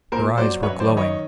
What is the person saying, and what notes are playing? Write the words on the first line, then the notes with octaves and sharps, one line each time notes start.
Her eyes were glowing.
A#2 A#4 C5
F#3 C5 D5
F#2 B4 C#5
C5 D5
D#3
C#5 D#5